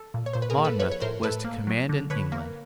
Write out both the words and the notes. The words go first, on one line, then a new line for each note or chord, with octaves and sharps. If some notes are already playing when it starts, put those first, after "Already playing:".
Monmouth was to command in England.
Already playing: A4
A#2
C#5
A#2 C5
B4
G#4 A#4
A#3
A4 B4
F3 B4 C#5
C#5
A2 A#4 C5
A2 A4 B4
A#3
F#3
D3
D3 B4 C#5
A#3